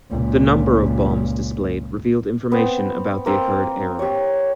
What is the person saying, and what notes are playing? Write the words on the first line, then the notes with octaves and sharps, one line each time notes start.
The number of bombs displayed revealed information about the occurred error.
C#2 A#2
B3 C4
A#3 C4
G4 C#5